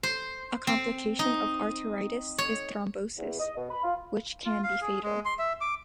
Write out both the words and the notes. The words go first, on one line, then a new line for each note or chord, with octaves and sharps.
A complication of arteritis is thrombosis, which can be fatal.
C5
C4
D#4
C#5
E2
D#5
B2
B5
F4
F4
F5
G#4
G#3
C6
E5
D6